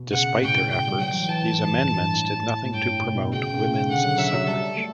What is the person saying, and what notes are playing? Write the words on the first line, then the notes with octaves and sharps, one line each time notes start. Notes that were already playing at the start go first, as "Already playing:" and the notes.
Despite their efforts, these amendments did nothing to promote women's suffrage.
Already playing: B2
C#3 F#5
A2 G5
G5
G3
F#3 G5
E3
E3 A5
A2
G2
A2
G2
A2
A2
A2
G2 G5
A2
B2
B2
C#3 G5
B2
C#3
D3 F#5
F#3
F#3 E5
F#3
G3 A4
A3